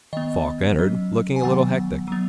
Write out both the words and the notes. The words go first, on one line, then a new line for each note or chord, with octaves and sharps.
Falk entered, looking a little hectic.
D#3 B3 D#5
F#3 C#4
G#5
D#3 F#3 B3 F#5
F#3 B3